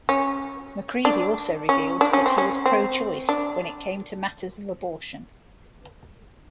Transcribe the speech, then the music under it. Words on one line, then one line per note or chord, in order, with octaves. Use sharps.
McCreevy also revealed that he was pro-choice when it came to matters of abortion.
C#4
D4
C#4
D4
C#4
C4
C#4
C4
D4